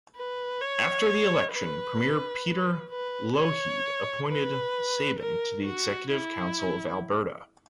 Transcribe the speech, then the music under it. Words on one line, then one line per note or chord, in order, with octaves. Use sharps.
After the election Premier Peter Lougheed appointed Shaben to the Executive Council of Alberta.
B4
C#5
B4
B4
C#5
B4
A#4
F#4
E4